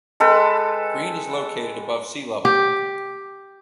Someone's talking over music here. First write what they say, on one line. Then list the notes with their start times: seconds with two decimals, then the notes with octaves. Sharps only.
Green is located above sea-level.
0.20 G#3 A4 B4 G5
2.45 G4